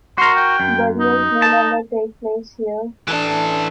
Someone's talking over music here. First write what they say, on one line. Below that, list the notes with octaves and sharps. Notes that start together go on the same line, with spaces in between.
Burials no longer take place here.
F#4 A#4 C6
G5
F#2
D#4
A5
E3 D4 A4